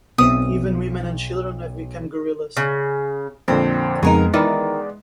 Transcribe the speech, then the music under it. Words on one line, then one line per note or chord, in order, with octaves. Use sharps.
Even women and children have become guerrillas.
B1 B3 C4 E5 D#6
C#3
F2 A#2 D3 C4
F2 C#3 G#3 B3 D#4 G#4 A#4
D#3 E3 D#4 E4 D5